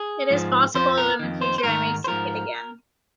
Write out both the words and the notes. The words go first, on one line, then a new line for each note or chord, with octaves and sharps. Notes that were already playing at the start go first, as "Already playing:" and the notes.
It is possible that in the future I may seek it again.
Already playing: G#4
G#2 F3
F2 F3 C5
A#4
F2 D#3
C5
C5
G#2 D#3 A#4
C5
G#2 F3 A#4